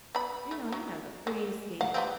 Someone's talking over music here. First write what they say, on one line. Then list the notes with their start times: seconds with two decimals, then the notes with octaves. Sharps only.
"You know, you have the prettiest skin,
0.15 B3 B5
0.51 A3
0.72 F#3
1.27 G#3 A#3
1.81 F5 F#5
1.94 G3 B3 C4